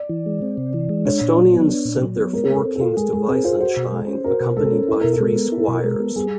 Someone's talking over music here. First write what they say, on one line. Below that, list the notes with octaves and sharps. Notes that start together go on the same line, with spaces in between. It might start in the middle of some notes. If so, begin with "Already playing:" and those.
Estonians sent their four kings to Weissenstein accompanied by three squires.
Already playing: D5
E3
G#3
C4
C3
E3
G#3
D4 C#5
A#2
F#3
B3
D4
A#2
F#3
B3
G#3 A#4
G#3
A4
C4
A4
F4
G#3 G#4
G#3 G#4
C4 A#4
F4 C5
F#4 C5
B2
G#3
C#4
F#4 A#4
B2
G#3 A4
C#4
E4 A4
B2 A#4
A4
G#3
B3
E4
B2
G#3
B3
G3 G#4